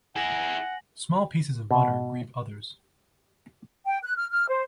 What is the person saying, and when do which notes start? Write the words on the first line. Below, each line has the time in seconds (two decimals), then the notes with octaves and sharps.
Small pieces of butter grieve others.
0.16 E4 G#4 F#5 G#5 A#6 F#7
1.71 B2
3.85 G5
4.03 F#6
4.17 F6
4.30 F6
4.48 C5